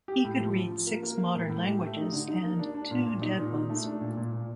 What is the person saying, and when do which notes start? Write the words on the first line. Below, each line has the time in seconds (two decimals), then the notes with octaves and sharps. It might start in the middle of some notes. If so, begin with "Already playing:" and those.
He could read six modern languages and two dead ones.
0.08 G4
0.24 A2
0.39 F3
0.55 F3
0.71 F3
0.87 A#3
1.03 A#3
1.18 A#3
1.34 A2
1.49 A2
1.65 G4
1.81 A3
1.97 D#4
2.12 D3
2.28 D#4
2.44 A#3
2.59 D4
2.75 D4
2.91 A#2
3.07 A#2
3.22 D#4
3.38 A#2
3.54 D#4
3.70 A3
3.85 D4
4.01 A#2
4.17 A#2
4.33 A#2